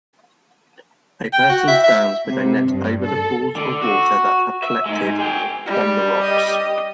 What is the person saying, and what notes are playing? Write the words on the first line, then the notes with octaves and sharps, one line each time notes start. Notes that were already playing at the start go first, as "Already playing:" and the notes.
A person stands with a net over the pools of water that have collected on the rocks.
G5
F#4
E5
E5
C3
G2
A4
D3
F#4
E5
G#2 G#3
G#4 G5
G3
G4 D#5